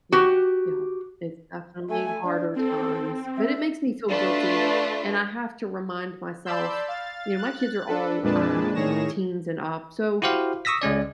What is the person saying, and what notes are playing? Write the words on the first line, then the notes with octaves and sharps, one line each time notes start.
Yep yep, it's definitely harder times, but it makes me feel guilty and I have to remind myself you know, my kids are all, um, teens and up, so,
F#4 G4
A3 G#5
D4
C4 A4
E5
A3 D4 F4 B4
D5 A5 B5 C6 E6 G6
F5 A6
F#6 A6
D4 A4 B4
F2 A#2 G#3 D4 B4 A5
A2 D#3 G#4 C#5 A#6 E7
E4 F#4 G4 C5 F5
C#6 D#6 E6 A#6 B6
C#2 G#3 C#4 D5